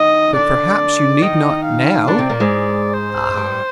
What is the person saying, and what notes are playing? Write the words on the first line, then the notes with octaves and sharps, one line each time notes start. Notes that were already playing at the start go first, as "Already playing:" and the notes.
"But perhaps you need not now?"
Already playing: D#3 D#4 D#5
D3 D4 D5
D#3 D#4 D#5
F5
D3 D4 D5
C3 C4
A#2 A#3
G#2 G#3
C5
G2 G3